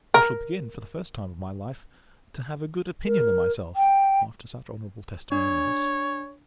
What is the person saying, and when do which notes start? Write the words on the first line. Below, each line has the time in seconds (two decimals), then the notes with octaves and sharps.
I shall begin, for the first time of my life, to have a good opinion of myself, after such honourable testimonials.
0.14 A#4
3.06 A#4
3.76 G5
5.32 D4 C#5